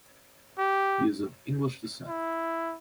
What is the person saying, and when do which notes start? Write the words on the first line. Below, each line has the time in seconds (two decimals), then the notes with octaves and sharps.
He is of English descent.
0.58 G4
2.08 E4